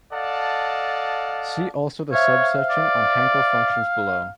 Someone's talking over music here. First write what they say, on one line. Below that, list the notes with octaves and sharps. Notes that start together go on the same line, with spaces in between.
See also the subsection on Hankel functions below.
A4 D5 D#5 F5 F#5 A5
C5 C#5 E5 F5
D5